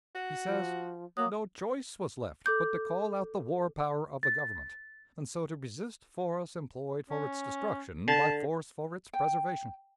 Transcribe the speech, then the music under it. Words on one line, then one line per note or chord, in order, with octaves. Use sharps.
He says, "No choice was left but to call out the war power of the Government, and so to resist force employed for its destruction by force for its preservation."
F#4
F3
F#3 A#3 D#6
A4 D6 G6
A6
C#4
D3 A5
G5